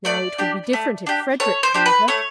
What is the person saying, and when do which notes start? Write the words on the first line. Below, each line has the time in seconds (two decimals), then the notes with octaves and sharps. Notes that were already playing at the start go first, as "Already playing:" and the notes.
Now it would be different if Frederick claimed her.'
0.05 A3 D5
0.38 D4 G4
0.73 A3
1.07 D4 G4
1.40 A3 C#5
1.63 C5
1.74 D4 G4
1.86 B4
2.08 A3 C#5